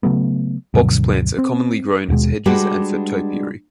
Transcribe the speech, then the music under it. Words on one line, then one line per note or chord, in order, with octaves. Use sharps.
Box plants are commonly grown as hedges and for topiary.
C#3 F#3 A3 B3
D2 G2 B2 F#3
C4
D#1 D#2 B2 G#3
G3 G#3 D4 F#4 B4 F#5